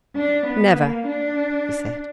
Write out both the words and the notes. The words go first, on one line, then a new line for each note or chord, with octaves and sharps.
"Never!" he said.
D4
B3
A#3
D4